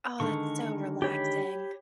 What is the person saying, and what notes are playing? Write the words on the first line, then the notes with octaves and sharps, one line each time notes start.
Oh, that's so relaxing.
D3 D#3 G#3 C#6
G4 C#5 B5